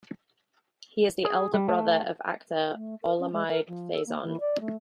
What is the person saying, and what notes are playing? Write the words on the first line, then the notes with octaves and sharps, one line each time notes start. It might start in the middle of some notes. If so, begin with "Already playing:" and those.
He is the elder brother of actor Olamide Faison.
G#4
G3
A3
A3
A#4
C#4
G#3
A#4
F3
A4
A#3
E3
D5
A3